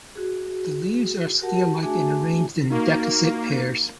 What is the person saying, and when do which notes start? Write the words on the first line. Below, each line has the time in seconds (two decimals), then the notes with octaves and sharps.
The leaves are scale-like, arranged in decussate pairs.
0.15 F#4 G#4
1.41 F#4 G4 A#4 F#5 A5
1.82 A3 D4 F#4 G#4 E5 G#5
2.70 A#3 D#4 F#4